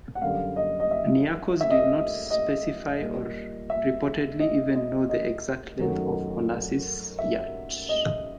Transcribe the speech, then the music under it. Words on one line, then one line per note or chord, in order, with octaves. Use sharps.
Niarchos did not specify or reportedly even know the exact length of Onassis's yacht.
F#5
F#2 D3 G3 F5
D#5
D#5
E5
E5
D#5
E5
D#5
A#2 G3
E5
D#5
D#5
D#5
F#2 D#3 F#3 A3
E5
D#5